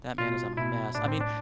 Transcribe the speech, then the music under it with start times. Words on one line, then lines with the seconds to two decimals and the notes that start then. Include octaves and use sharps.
that man is a mess. I mean,
0.18 B2 F4
0.57 B2 E4
0.95 A2 D4
1.08 C4
1.20 D4